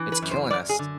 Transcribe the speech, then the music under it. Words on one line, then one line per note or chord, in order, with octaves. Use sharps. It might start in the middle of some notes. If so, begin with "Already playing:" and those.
It's killing us.
Already playing: E3
B4
F#2
C5
F#2 D5
G#4
D3